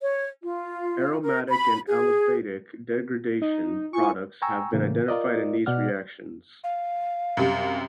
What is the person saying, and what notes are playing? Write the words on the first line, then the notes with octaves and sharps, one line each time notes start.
Aromatic and aliphatic degradation products have been identified in these reactions.
C#5
F4
A#4
B5
G#4
D#4
E4 F4 G#5 C#6
G5 G#5 A#5 C#6 E6
A2 C#3 E3 A#3
F4 A#4 D5 D#5
B2 D5 F#5 F6
F5
F#2 C3 G3